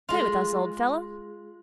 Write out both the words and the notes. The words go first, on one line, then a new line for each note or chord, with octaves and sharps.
"Stay with us, old fellow."
G#3 F4